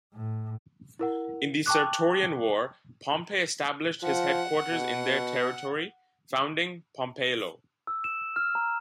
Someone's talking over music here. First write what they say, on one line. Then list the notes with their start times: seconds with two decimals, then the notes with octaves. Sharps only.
In the Sertorian War, Pompey established his headquarters in their territory, founding Pompaelo.
0.14 A2
0.99 E4 A#4 F#5
1.66 G5 A5 C#6 D6 F#6
4.02 F3 F#5
4.68 B2
7.87 E6
8.04 E7
8.36 F6
8.55 A#5